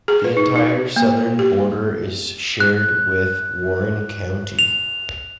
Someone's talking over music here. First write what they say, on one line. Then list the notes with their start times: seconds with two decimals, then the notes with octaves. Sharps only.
The entire southern border is shared with Warren County.
0.08 G#4
0.24 B4
0.37 D#4
0.56 D#4
0.96 A#3
1.39 G4
2.60 F#6
4.59 F7